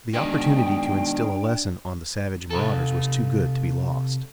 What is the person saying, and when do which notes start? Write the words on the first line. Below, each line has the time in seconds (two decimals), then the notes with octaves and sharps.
The opportunity to instill a lesson on the savage marauders was too good to be lost.
0.14 B2 D#3 G#3 D4 G5
2.50 C3 A4